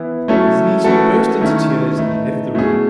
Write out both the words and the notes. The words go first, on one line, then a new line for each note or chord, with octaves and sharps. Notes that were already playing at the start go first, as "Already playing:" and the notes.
His niece burst into tears and left the room.
Already playing: E3 B3 E4
F#3 A3 C#4 E4 A4
E3 A3 C#4 F#4 A4
D#3 A3 C#4 E4
E3 A3 D#4
B2 A3 C#4 E4 G#4